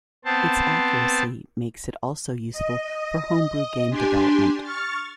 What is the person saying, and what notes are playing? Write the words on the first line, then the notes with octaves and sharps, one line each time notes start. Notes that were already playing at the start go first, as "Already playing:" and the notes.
Its accuracy makes it also useful for homebrew game development.
B3 C4 C5 A5
D#5
D4 G4 G#5 C6
C#6 F6 A6